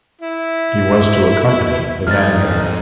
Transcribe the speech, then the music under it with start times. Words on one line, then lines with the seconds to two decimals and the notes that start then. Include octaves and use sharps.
He was to accompany the vanguard.
0.21 E4
2.07 F2 G#2 D#4 F6 A6